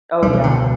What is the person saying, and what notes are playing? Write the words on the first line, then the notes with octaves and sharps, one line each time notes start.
Oh, yeah.
C#2 B2 G3
E3
D3